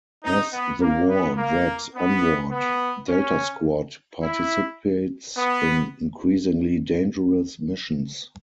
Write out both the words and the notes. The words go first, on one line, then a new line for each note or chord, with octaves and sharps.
As the war drags onward, Delta Squad participates in increasingly dangerous missions.
D#4
B3
A#3
B3
A#3
B3
B3
C#4
E4
B3